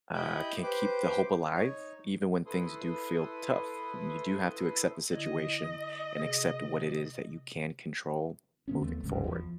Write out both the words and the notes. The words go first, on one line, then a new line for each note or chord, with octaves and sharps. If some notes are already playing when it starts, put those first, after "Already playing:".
uh, can keep the hope alive even when things do feel tough, and you do have to accept the situation and accept what it is that you can control moving forward.
E4 G4 D#5 B5 G6
G4 B4 C5 D6
D#4 C#5
E4 A4 B4 C6 D#6
D3 E4 D#5 G#6
C3 F#4 G#4
D3 B3 C#4
D#2 E3 A3 B3
G1 D2 G#2 C#3
E2 E3 F3